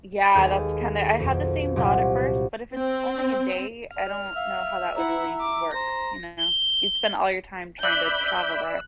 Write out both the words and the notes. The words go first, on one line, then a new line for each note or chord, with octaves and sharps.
Yeah, that's kinda I had the same thought at first, but if it's only a day, I don't know how that would really work, you know? You'd spend all your time trying to travel there.
D#2 G#3 G#4 A4 B4
B1 F2
C2 A#2 F#3
C4
D5 F6
E5 F5
E4 F#5 A#5
D6
C5 A#5 A#6
G7
D5 E5 B5 F#6 G6 F#7